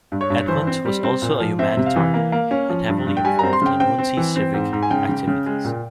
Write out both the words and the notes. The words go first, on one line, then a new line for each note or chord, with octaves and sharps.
Edmund was also a humanitarian and heavily involved in Muncie's civic activities.
G2
C#5
G2
E3 C5
C4
G3
C4
A#2
F3
C4 E5
C3
F5
E3
A#3
A#3
C#4
F3
G2
G2
G5
G3 G#5
C4 A#5
C6
C#3 G5
C4 G5
C4
E3
C4
G#2
G#2
G#5
C#3 G5
C#3
C#3
G#3
A#2